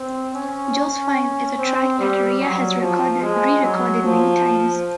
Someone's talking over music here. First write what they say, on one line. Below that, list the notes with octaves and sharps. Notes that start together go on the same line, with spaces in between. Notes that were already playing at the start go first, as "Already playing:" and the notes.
"Josephine" is a track that Rea has re-recorded many times.
Already playing: C4
C#4
C#4
C4
G3
F#3
F3
G#3
F#3
F3